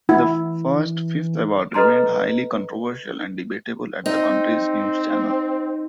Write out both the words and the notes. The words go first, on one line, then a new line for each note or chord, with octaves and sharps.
The first fifth award remained highly controversial and debatable at the country's news channels.
E3 E4
A4 B4 D#5 A#5 C6
C4 D#4